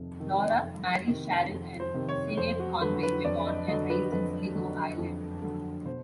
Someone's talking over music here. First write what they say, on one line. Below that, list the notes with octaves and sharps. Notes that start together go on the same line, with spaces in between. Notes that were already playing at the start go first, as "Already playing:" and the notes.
Laura, Marie, Sharon and Sinead Conway were born and raised in Sligo, Ireland.
Already playing: F2 C3 D#3
C3 D#3
F2
C3 D#3
F2
C5
C3 D#3
C#5
F2 C5
F#4
D3 F#3 B4
B4
F2 D5
D#5
D3 F#3 D#5
B4
F2 B4
D3 F#3
F2
D3 F#3
B2 C5